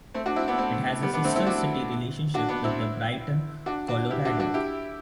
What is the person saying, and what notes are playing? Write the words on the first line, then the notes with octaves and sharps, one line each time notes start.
It has a sister city relationship with Brighton, Colorado.
A3 C4
D4 F#4
C4 E4
B3 D4
A3 C4
G3 B3
B3 D4
A3 C4
C4 E4
D4 F#4
D4 F#4
B3 D4
C4 E4
D4 F#4
D4 F#4
E4 G4
D4 F#4
D4 F#4
E4 G4